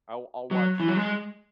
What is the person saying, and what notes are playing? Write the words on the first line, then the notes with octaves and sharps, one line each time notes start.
I'll I'll watch
F#3
E3
F#3
G#3